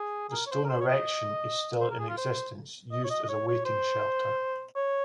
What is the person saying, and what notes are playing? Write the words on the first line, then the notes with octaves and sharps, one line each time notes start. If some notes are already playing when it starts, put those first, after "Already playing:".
The "stone erection" is still in existence, used as a waiting shelter.
Already playing: G#4
G#4
A#4
C#5
C5
A#4
C5
C#5
D#5
C5
A#4
G#4
F4
C5
D#5
C#5
D#5
D#5
C#5
C#5
C5
C#5